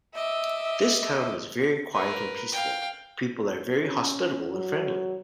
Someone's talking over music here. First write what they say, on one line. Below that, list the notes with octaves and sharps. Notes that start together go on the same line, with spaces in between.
This town is very quiet and peaceful, people are very hospitable and friendly.
D#5 E5 D6
A#4 B4
F5 G5
C#4
F#3